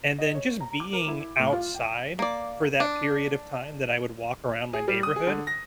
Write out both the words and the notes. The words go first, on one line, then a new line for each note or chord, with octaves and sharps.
And then just being outside for that period of time that I would walk around my neighborhood
D#5
C#5
A#5
D6
A#4
E4
A2
F4
G5
A#3 D5
D4
G#4
G3
D#6
G#4
D3
A#6